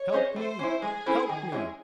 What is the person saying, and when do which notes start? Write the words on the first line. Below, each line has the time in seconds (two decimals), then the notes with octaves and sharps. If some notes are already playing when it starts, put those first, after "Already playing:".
Help me! help me!'
Already playing: C#5
0.13 C#4 G#4 C5 D#5
0.36 A3 C5
0.59 C#4 E4
0.82 G#3 G#4
1.06 C#4 E4 A4 C5
1.29 D#3
1.52 G#3 C#4 E4